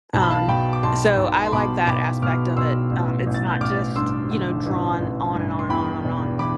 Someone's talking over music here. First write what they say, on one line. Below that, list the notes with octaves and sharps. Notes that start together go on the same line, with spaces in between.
Um, so, I like that aspect of it, um, it's not just, you know, drawn on and on and on and on and on.
B1 A5
B5
F5 A5
B2 G5 B5
D6
B1 A5 C6
B1
C6
B2 B5 D6
B1 B5 D6
B2 D6 F6
B1 C6 E6
A1
A1
A6
G6
A1 D6 F6
G2 C6 E6
D3
A1
A1
G2
C6
E2 G5 B5
E1
E3 B5 D6